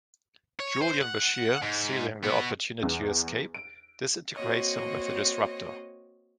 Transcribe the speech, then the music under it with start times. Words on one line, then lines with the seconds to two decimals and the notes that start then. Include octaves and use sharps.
Julian Bashir, seizing the opportunity to escape, disintegrates him with a disruptor.
0.60 C#5
0.81 C5
1.01 F#5
1.62 G#2
2.24 B3 F#4
2.83 E2
3.54 D7
4.34 A#3 C4 F#4 C#5 D#5